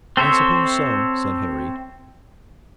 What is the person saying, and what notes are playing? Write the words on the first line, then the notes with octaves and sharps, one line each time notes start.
"I suppose so," said Harry.
C4 A4 C5 C#5 E5